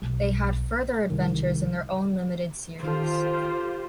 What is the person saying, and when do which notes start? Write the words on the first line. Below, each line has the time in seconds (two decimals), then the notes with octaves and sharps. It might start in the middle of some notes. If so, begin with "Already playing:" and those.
They had further adventures in their own limited series.
0.02 B1
1.10 C2 D#3
2.83 D#3 F4 G4 A4 C5